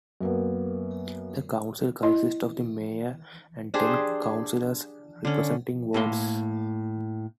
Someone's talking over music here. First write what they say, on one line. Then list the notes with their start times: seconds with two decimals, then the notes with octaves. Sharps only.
The council consists of the mayor and ten councillors representing wards.
0.21 F#2 A#3 B3
2.03 E4 D#5
3.74 D4 G4 G#4 C5
5.25 D3 C#4
5.94 A2 A#3 C6